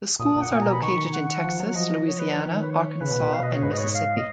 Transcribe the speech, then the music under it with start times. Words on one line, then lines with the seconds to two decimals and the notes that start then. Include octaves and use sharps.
The schools are located in Texas, Louisiana, Arkansas and Mississippi.
0.20 A#2 D#6
0.36 A#2
0.42 F#5
0.51 A#2 G#5
0.62 B2 A#5
0.73 B5
0.82 D#3 C#6
1.13 F#5
1.44 F3
1.60 F#3
1.75 F3 D#5
2.07 C#5
2.19 B4
2.31 C#5
2.38 D#3
2.62 B4
2.70 C#5
2.91 C#5
3.01 C#3 B4
3.11 B2
3.22 A#2
3.31 B2 F5
3.43 D#5
3.52 C#5
3.62 G#2 B4
3.72 D#5
3.78 C#5
3.94 F5
4.17 D#5